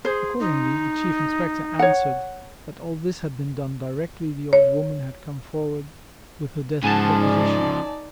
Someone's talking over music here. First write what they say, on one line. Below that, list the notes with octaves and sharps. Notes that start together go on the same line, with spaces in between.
Accordingly the Chief Inspector answered that all this had been done directly the old woman had come forward with her deposition.
G#4 C5
D#4
C#5 F#5
C#5
G#2 C#3 F3 F#5 G#5 A5
D#4 D5